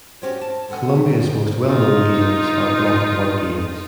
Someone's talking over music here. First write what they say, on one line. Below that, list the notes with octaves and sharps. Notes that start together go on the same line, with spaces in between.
Columbia's most well-known games are block wargames.
C#4 F#4 G4 C5 C#5
A5
D2 D3 A4 F#5 G#5
G3
G2 F3 D4
D#4 F4